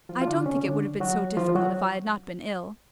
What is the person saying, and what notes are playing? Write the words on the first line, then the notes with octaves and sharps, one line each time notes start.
"I don't think it would have been so difficult if I had not been ill."
F3 F4
F4
D3 D4
C#3 C#4
D3 D4
F#3 F#4
F3 F4
F#3 F#4